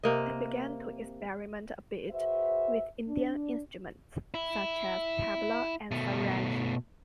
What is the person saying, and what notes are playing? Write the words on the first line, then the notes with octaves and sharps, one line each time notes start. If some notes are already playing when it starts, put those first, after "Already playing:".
They began to experiment a bit with Indian instruments, such as tabla and sarangi.
C3 A#3 D#5
F#4 G#4 B4 C5 E5
D4
E4
B2 A3